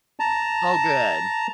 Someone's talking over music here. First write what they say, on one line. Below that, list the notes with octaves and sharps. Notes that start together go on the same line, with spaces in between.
Oh, good.
A5 A#5